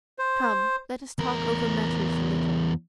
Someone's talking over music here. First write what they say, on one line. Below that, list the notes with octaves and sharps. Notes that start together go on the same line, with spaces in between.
Come! let us talk over matters a little.
C5
E2 A#4